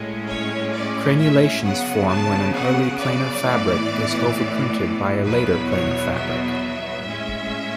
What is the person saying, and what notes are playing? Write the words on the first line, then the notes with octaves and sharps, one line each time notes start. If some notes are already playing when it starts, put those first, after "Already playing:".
Crenulations form when an early planar fabric is overprinted by a later planar fabric.
Already playing: A2 G#3 C#4
C#5
D5
E5
C#3 F#3 B3 F#5
A5
F#5
D5
A2 E3 B3
E2 B2 F#3 B3 B4
C#5
E5
A2 G#3 C#4